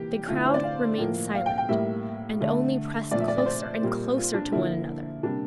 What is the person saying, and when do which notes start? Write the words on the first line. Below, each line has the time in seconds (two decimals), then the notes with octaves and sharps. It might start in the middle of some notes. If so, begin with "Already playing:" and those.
The crowd remained silent and only pressed closer and closer to one another.
Already playing: C3 E3 A#3 G4
0.28 D3 A3 F4
0.36 E4
0.46 C5
0.54 D5
0.64 F5
0.98 A2 F3 A#3
1.35 F5
1.46 G5
1.58 G5
1.69 A2 G3 A#3 E5
2.41 D3 A3
3.11 A#2 F3 A3 D5
3.20 E5
3.28 D5
3.38 D5
3.46 C5
3.82 A#2 G3 A#3
4.17 F4
4.34 D4
4.52 D3 F3 A#3 E4
5.23 C3 G3 A#3 D4